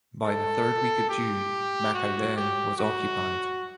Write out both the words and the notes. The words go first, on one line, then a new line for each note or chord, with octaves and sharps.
By the third week of June, Macaleeng was occupied.
A4
G4
F#4
G4
F#4